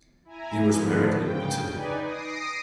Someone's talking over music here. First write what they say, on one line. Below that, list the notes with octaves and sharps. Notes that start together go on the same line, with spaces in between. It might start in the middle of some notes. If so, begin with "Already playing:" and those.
He was buried in Italy.
E4 G#5 A#5
D3 D#3 F3 B3
C#3 G5
D#4 B4 D5 G#5
D#6 A#6 C7 D7